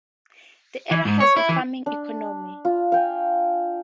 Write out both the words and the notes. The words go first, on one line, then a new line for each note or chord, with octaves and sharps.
The area has a farming economy.
E3
G#2
C#5
E4
E3
D4
F4
F5 G5 G#5